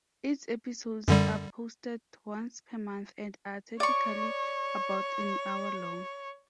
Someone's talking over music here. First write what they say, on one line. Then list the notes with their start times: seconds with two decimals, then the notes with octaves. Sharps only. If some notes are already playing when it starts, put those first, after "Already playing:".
Its episodes are posted once per month and are typically about an hour long.
1.08 F#2 D3 G3
3.80 C#5 D5 C#6